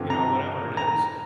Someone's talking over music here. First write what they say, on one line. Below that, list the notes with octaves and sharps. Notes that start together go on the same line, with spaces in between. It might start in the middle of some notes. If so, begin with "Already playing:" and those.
you know, whatever it is.
Already playing: G2 D3 F3 C4
A#5
A#5